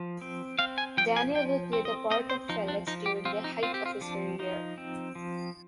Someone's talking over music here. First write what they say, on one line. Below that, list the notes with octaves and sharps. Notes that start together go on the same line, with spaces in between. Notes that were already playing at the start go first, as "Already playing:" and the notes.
Daniel will play the part of Felix during the height of his career.
Already playing: F3
C4
C4 F5
G#5
F3 G5
G#5
F3 G5
C4
D#5
C4 D#5
C5
F3 D#4
D4
F3 D#4
G4
C4 F4
D#4
C4 F4
G4
F4
F3 D4
F3 D#4
C4
F3